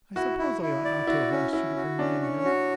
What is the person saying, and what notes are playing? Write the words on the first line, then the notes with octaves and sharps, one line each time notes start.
I suppose I ought not to have asked you to bring me in here.
E4 F#4
E4
E4
D5
E4 F#4
C#4
E4 F#4
F#4
C#4 D4
C#5
F#4